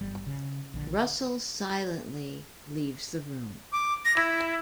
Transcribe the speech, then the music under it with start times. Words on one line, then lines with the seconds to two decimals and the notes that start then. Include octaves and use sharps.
Russell silently leaves the room.
0.01 G1 G3
0.27 C#3
0.74 A#1 D3
3.72 D6
4.05 A#6
4.16 E4